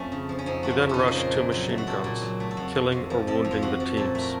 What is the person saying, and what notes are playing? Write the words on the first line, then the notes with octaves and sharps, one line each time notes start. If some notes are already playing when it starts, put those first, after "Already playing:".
He then rushed two machine-guns, killing or wounding the teams.
Already playing: F2 A3 C#4
C#3
F3
C#4
F2 D#4
A3 F#4
F4
C#3
C#4 D#4
F3
C5
A#2 A#4
A#2
F#3
A3
F#4
A#2 A4
A#2
F#3
A3
A4
F2 F#4
F2
C3
F3
F2 A4
F2
F4
C3 F#4
F3
A#2 A4
A3
A#4